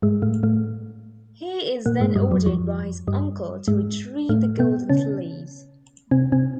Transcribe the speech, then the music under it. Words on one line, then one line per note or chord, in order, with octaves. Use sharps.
He is then ordered by his uncle to retrieve the golden fleece.
G#2 G#3
A2 A3
A2 A3
A#2 A#3
G#2 G#3
G2 G3
F#2 F#3
F2 F3
G2 G3
G#2 G#3
A2 A3
B2 B3
C#3 C#4
C3 C4
C3 C4